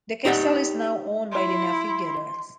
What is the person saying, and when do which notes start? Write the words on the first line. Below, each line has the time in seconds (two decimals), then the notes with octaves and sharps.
The castle is now owned by The Navigators.
0.25 D#4 G4 D5 F#5
1.32 E4 C6